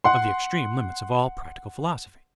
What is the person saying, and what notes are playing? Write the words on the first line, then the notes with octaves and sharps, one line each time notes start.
Of the Extreme Limits of all Practical Philosophy.
F#5 C6